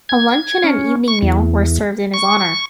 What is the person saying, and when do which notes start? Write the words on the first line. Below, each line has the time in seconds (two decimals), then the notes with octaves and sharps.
A luncheon and evening meal were served in his honor.
0.09 G#6
0.64 C#4
1.08 C#6
1.22 E2
2.14 C#6